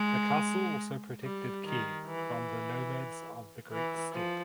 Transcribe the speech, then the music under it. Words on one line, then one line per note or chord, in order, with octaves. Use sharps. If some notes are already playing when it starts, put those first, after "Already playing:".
The castle also protected Kyiv from the nomads of the Great Steppe.
Already playing: G#3
G3
D#3
E3
E3
F3